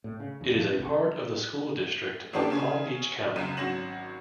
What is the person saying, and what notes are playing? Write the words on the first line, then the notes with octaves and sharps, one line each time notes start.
It is a part of the School District of Palm Beach County.
A2
C#3
D#2
F3
C3
C#3
E3 A#3 C#4 D4 G4 A4
C#3 C#4 G#4
C#2 F#2 C#3 D#7
G#1 F#3 C#4 A#6 E7 F#7